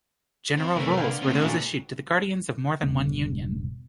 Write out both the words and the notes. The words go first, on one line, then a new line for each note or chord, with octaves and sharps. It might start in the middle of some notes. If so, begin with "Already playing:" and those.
General Rules were those issued to the Guardians of more than one Union.
C4 F4
F2 C3 A3 A#4 B4
D3 F5
A3 A#3 C4 C#4 F4
A#2 A3 D4 E4 F#4
E1 G2 C#3 B3